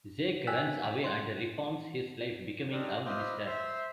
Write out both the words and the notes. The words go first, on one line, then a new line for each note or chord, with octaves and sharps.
Zeke runs away and reforms his life, becoming a minister.
G5 G#5 E6 F#6 B6
C6 F#6
C4 D4 D#4 G4 A4 A#4
F4 G4 B4 C5 D#5 E5
C5 E5